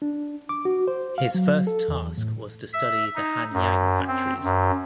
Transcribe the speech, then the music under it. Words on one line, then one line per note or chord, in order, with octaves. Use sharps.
His first task was to study the Hanyang factories.
D4
D6
F#4
C5
F5
F#3
A4
E2
A2
E5
D#4
F#2
C4
F#2